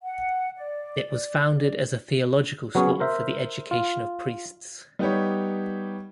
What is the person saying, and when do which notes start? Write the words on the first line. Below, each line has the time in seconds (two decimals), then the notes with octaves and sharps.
It was founded as a theological school for the education of priests.
0.03 F#5
0.57 D5
2.75 F#3 B3 C#4 G#4 C#5
3.00 A#4 C5 E5
3.71 F4
4.99 G3 B3 D#4 G4 C#5